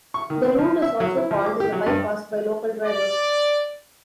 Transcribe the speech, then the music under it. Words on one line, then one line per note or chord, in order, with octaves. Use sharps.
The route is also called "the bypass" by local drivers.
C#6
D#3
C4
F3
E5
F#3
E4
F3
D6
G4
F#3
G2
D5